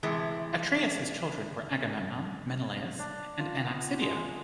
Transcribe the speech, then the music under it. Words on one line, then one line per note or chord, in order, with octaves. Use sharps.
Atreus' children were Agamemnon, Menelaus, and Anaxibia.
A2 C3 E3 G#3
D4
F4
B3
G#3